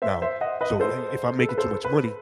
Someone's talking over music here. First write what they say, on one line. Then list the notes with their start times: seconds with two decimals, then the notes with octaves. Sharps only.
now, so you I I if I'm making too much money,
0.02 C5 E5
0.22 C5 E5
0.41 D#5 F#5
0.61 B4 D#5
0.80 A4 C5
1.40 A4
1.49 B4
1.58 A4 C5
1.85 B4